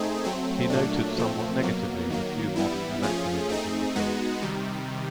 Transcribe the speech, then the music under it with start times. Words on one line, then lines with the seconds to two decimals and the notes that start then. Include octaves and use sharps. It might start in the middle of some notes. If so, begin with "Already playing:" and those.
He noted somewhat negatively the few modern anachronisms in the film.
Already playing: A3 C4 D#4 G#4
0.25 F#3 A3 C4
0.70 A#2 F#3 A3 D4
1.17 A#2 F3 A3 C4
1.63 B2 F#3 A#3
2.10 D#3 F#3 A#3
2.56 E3 G3 B3 E4
3.03 F3 A3 C#4 F4 G#4
3.49 A3 C4 D#4 G#4
3.95 G#3 B3 D#4 F#4
4.42 C3 D#3 G3